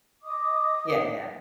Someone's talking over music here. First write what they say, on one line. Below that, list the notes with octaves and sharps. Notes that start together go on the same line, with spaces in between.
Yeah, yeah.
D#5 D6 D#6